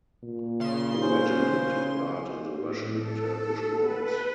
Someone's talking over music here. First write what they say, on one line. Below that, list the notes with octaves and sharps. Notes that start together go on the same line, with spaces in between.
The regiment took part in the Russian–Turkish Wars.
A#2
C#3 C6
C#4 C5
A2
A4
B4